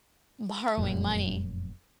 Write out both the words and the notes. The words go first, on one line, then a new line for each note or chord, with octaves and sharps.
borrowing money
F1 F#2 A#2